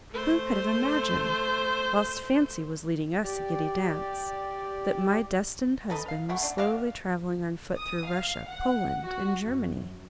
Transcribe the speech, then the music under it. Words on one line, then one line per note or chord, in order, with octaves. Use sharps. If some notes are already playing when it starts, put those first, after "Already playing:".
Who could have imagined, whilst fancy was leading us a giddy dance, that my destined husband was slowly traveling on foot through Russia, Poland, and Germany?
A3 C5
G4 D5
A4 B4 D#5
F5
A3 E4 C#5 F#5
D4
F#4 D5 E5 F5
D#6
F5
F#5
F#4
F#2